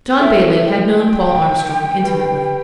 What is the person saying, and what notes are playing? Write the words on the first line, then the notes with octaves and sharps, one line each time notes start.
John Bailey had known Paul Armstrong intimately.
G5
E4 A4 E5
G5
G4 B4